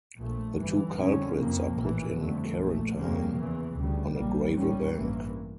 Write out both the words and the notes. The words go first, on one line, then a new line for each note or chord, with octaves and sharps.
The two culprits are put in quarantine on a gravel bank.
A#1 A#2 A3
G1 G2 E3
F2 D3 G3 C#4
F2 C#3 F3 A#3
A#1 A2 E3
G1 F2 D3 A3
A#1 A#2 A3
F1 F2 C#3 G3 A#3
E2 C#3 E3
D2 C#3 G3
A#1 A#2 G3 A#3
A#1 A2 G3 C#4
A1 G2 E3 A#3